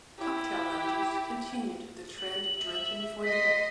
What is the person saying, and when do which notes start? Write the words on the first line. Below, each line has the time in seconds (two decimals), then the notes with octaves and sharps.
Cocktail lounges continued the trend of drinking before dinner.
0.19 E4 G4
2.18 F#7
2.58 E5
3.23 D#5 C6 B6